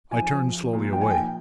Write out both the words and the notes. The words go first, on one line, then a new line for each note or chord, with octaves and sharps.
I turned slowly away.
F3 G#5
F3
F3
A#2
F3 G5
G#5
G5
A#2